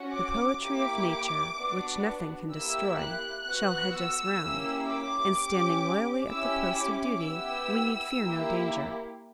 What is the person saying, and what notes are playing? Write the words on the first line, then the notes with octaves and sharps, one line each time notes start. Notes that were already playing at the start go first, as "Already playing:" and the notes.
The poetry of Nature, which nothing can destroy, shall hedge us round; and standing loyally at the post of duty, we need fear no danger.
Already playing: C#4 F#4
D6
A#3 E4 G4 D6
B3 D4 F#4
A#3 E4 G4 E6
F#6
B3 F#4 F#6
E6
A#3 C#4 E4 G4
D6
C#4 G4
C#4 E4 G4 E6
D6
B3 E4 G4 E6
A#3 E4 G4